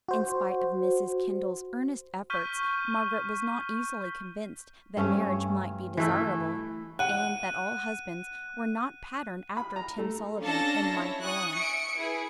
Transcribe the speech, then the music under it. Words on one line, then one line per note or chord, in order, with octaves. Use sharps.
In spite of Mrs. Kendall's earnest efforts Margaret was not easily convinced that marriage might be desirable, and that all husbands were not patterned after Tim Sullivan and Mike Whalen.
F#4 C5
C#6 F6 G6 B6 D#7 G7
G2 A3 C#4
E3 A3 E4
F#5 F#6 D#7
B5
A#5
A3
C#4 D4 A4 F5 A5 A#6
E4 C#5
G#5 C#6 D#6 F#6
E5 C#7 D7
E4 G#4 B4